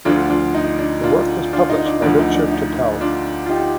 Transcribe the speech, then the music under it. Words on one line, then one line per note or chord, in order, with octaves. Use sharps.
The work was published by Richard Tottell.
D2 D3 F3 D4 F4
D4 F4
D#4
D4
D4 F4
D4 F4
D#4
D4
D2 D3 F3 D4
D#4
D4
D#4
D4 F4
F4
D#4 G4